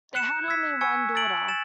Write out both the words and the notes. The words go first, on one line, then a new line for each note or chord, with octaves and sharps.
They had only one daughter.
F#6 C#7 E7
E6 G#6 B6
G#5 C#6 E6 G#6 C#7
E6 A6 D7 F#7
A6 E7